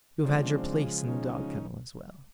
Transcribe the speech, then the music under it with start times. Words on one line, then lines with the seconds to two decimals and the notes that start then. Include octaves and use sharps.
You have had your place in the dog-kennel as well.
0.24 C#3 F3 G#3 C4 D4
1.08 C#4 D#4